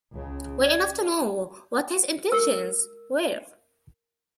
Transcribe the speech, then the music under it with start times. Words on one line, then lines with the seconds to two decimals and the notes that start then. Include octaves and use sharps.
Well enough to know what his intentions were?
0.13 C#2 C#3
0.64 C#4 D5 G#6
2.32 A#4 E6